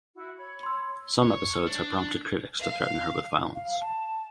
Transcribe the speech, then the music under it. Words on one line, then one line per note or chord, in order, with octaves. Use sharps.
Some episodes have prompted critics to threaten her with violence.
E4 F#4
C#5 B5
C6 E6
C#5
D4
F5
F5
A5